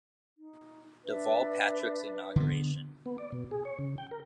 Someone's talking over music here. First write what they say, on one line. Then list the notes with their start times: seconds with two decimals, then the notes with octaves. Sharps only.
Deval Patrick's inauguration.
0.38 D#4
1.06 D4 B4 E5
2.36 D3 B3
3.06 B3
3.18 D5
3.32 B2
3.51 G#4
3.65 C#5
3.79 C#3
3.98 G5
4.11 A#4